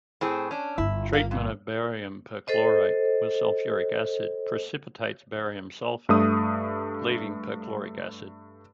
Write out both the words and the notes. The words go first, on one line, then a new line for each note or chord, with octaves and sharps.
Treatment of barium perchlorate with sulfuric acid precipitates barium sulfate, leaving perchloric acid.
A2 C4 G#4
C#4 D4
G1 G2 E4
A#3
F2
A4 C5 D#5
G2 A3 D#6